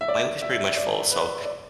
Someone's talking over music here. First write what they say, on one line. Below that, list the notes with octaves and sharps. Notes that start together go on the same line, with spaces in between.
my week is pretty much full, so
E5
D5
E5
D5
B4
D5